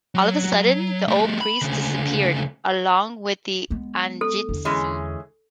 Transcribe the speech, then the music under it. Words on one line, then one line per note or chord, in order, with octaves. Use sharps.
All of a sudden the old priest disappeared along with the "anjitsu".
F#3
G3 A3
B5
D2 C#3
G#3 B3
A4
E2 D3
E3 G#3 C#4